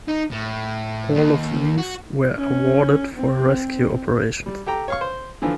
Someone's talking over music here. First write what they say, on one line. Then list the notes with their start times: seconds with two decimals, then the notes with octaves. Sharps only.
All of these were awarded for rescue operations.
0.08 D#4
0.31 A2
1.14 D#2
1.77 F#4
2.36 C#4
3.15 C4
4.46 G3
4.67 G4 A4 G5 A#5
4.88 C#5 F5 C#6
5.01 C5
5.42 D3 E3 F3